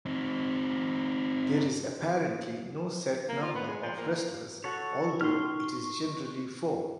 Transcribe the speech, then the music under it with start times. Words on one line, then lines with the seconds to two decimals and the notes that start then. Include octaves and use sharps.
There is apparently no set number of wrestlers although it is generally four.
0.06 C4 D#4
3.29 A#3
3.42 F4
3.55 B3
3.67 G#3
3.83 F3
3.97 A#3
4.64 F#4 A4 C#5 C#6
5.21 C#4 D#4 A#4 C6 C#6 F6